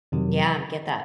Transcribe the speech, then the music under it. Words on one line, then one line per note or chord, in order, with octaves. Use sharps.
Yeah, get that.
F2 C3 D#3 F#3